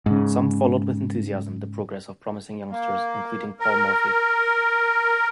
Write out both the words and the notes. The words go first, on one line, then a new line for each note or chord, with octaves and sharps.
Some followed with enthusiasm the progress of promising youngsters, including Paul Morphy.
G#2 C#3
A#3
A#4